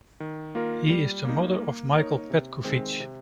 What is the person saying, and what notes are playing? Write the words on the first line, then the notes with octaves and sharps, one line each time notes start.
He is the brother of Michael Petkovic.
D#3
A#3 F4 A#4
G3
A#3 D#4
A#3
D#4 A#4 C#5
C3
D#3 G#3 C4
C3